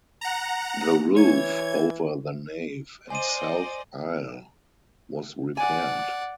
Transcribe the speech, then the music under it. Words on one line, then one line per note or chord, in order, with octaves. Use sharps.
The roof over the nave and south aisle was repaired.
F#5 A#5
E3 C#5 G#6
C5 D5 D#5 G#5 D#7
D5 F#5 G#5